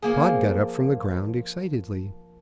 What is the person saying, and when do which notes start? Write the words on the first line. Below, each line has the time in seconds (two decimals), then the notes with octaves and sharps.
Pod got up from the ground excitedly.
0.03 F3 A#3 G#4